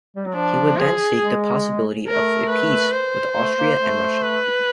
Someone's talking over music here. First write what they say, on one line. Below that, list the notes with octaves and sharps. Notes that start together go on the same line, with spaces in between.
He would then seek the possibility of a peace with Austria and Russia.
G3
F#3
F3 D4
G#4
G#3
A3 A#4
B4
C5
A3
A#3
A3
B4